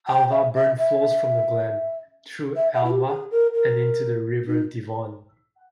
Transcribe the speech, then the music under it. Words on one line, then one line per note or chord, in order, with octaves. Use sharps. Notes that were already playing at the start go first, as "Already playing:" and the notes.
Alva Burn flows from the glen, through Alva, and into the River Devon.
G5
E5
E5
E5
E5
E5
E4
G4
G#4
A#4
A#4
D#4